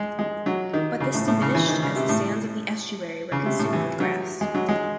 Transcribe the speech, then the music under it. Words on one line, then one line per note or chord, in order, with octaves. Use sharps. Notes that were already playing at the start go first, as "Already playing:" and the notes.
But this diminished as the sands of the estuary were consumed with grass.
Already playing: G#3
G#3
F#3
D#3
C#3
A2
A2
C#3
E3
D#3
C#3
C3
A2
C#3
C3
A2
E3
F#3
G#3
F#3
G#3